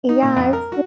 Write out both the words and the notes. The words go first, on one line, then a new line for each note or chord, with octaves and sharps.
Yeah, it's
D#4
A#2
F2
A#4
F#4